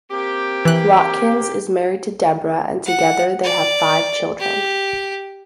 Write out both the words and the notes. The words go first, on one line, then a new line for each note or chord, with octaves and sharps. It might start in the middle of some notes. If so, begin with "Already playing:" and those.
Watkins is married to Deborah and together they have five children.
A#3 C4 G4
E3 F#6
F#5
D5
G4